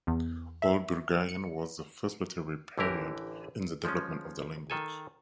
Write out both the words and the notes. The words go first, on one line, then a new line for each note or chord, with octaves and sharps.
Old Bulgarian was the first literary period in the development of the language.
E2
E5
C#7
A1 D3 E3 E4 G4 A#4
F3 G#3 C#4
D#3 A4 G#5